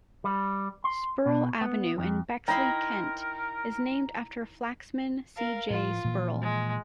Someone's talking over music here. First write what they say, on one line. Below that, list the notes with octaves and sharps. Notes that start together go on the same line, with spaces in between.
Spurrell Avenue in Bexley, Kent, is named after Flaxman C. J. Spurrell.
G3
C6
B2
B3
F2
D#4 E4 A#4 G5 A#5 C6
A#4 F5
A2 F3 F4
A#2 E3 F3
G#3